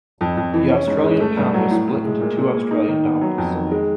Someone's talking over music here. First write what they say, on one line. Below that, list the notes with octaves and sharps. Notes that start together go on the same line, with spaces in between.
The Australian pound was split into two Australian dollars.
F2
F2
E3
C#4
G#2
G#3
A3
G2
F#3
A2
A2
G#3
A#2
A#2
A#3
D#4
D#3
B3
F#3
F2
D#3
G#3